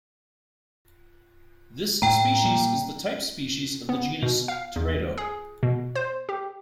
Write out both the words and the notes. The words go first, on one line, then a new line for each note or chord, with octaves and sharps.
This species is the type species of the genus "Teredo".
A2 A3 G5 A#5
A#2 G3
B3
B2
F5
E2
G#4
B2
C5
G4